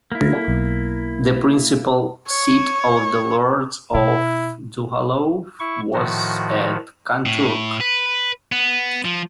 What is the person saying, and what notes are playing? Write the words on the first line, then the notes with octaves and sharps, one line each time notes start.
The principal seat of the Lords of Duhallow was at Kanturk.
A#3 E4
B1
C#5
B2 E4
E4 C#6
A2 D#3 F3 F#4
A2
B4
B3
F3